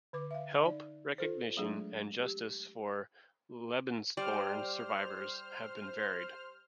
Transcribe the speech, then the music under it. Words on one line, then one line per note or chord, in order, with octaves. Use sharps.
Help, recognition, and justice for "Lebensborn" survivors have been varied.
D3 B4 D6
E5 F5
D#4 D5
F4 A4 C5
F#3 G#3 A3 D4 G#4
G4
G3 C5 D5 F6